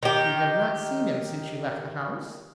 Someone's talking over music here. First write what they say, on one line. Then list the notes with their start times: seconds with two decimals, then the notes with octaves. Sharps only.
"You have not seen him since you left the house?"
0.03 D#3 G4